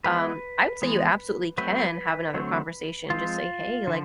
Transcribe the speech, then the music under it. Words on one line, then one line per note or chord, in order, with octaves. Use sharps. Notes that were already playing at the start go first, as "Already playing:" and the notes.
Um, I would say you absolutely can have another conversation, just say, "Hey," like,
E3 G#3 B3 B4
E3 G#3 B3
F#3 A3 C4 B4
D3 F#3 A3 C4
F3 G#3 C4 F4
D3 F3